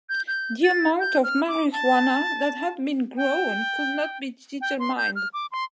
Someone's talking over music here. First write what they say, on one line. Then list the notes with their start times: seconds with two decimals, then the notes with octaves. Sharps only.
The amount of marijuana that had been grown could not be determined.
0.09 G6
0.28 G6
0.64 A6
1.00 G6
1.24 F6
1.48 D6
1.72 A5
3.17 G5
4.61 G5
4.80 C6
4.98 G6
5.16 F6
5.34 D6
5.52 C6